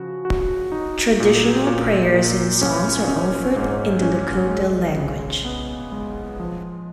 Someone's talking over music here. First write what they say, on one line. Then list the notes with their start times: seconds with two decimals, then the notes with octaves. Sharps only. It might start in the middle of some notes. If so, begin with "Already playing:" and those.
Traditional prayers and songs are offered in the Lakota language.
Already playing: C#3 F3 F#4
0.25 F#4
0.72 D#4
1.20 A#2
1.67 A#2
2.14 A#2
2.61 C#4
3.08 C#4
3.56 G#2
4.02 C#4
4.50 G#3
4.97 C#3
5.45 B3
5.92 G#3
6.40 F3